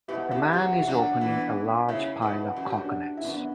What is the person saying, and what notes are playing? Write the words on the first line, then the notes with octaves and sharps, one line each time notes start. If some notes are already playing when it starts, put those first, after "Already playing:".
The man is opening a large pile of coconuts.
B2 E4 G4
C#3 E4 G4
F#3 G4
F#4
E4
F#3 D4 F#4
E3 B3 D4
C#3 C#4 E4
B2
F#2 F#4
G4
D4 F#4
E4
F#2 B3 D4